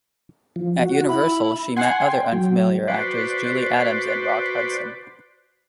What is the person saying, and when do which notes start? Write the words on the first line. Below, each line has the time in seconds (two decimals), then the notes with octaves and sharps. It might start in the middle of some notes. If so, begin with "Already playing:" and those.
At Universal, she met other unfamiliar actors Julie Adams and Rock Hudson.
0.56 F3
0.79 F#4
1.08 E4 B5
1.76 F#5 G#5 C6
2.00 G5
2.33 F#3
2.88 F#4 B4 C5 D5